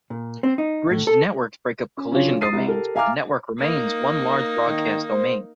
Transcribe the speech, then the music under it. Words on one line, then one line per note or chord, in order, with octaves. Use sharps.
Bridged networks break up collision domains, but the network remains one large broadcast domain.
A#2
C4
D#4
A2
A4
C#4
C#3 F#3 D4 F4 C#5
D#6 A6 C7 D#7
C2 C3
G4 A4 A#4
E5 F5 G#5 A#5 D6 F6
A#3 D#4
D#3
C5